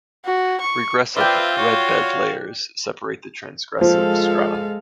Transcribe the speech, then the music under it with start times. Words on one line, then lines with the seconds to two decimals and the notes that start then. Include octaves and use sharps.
Regressive, red bed layers separate the transgressive strata.
0.25 F#4
0.61 C#6
1.16 C4 F4 B4 D5 E5 F5 G5
1.57 F#4 C#5 F5
3.81 F3 G#3 A4 C5 F5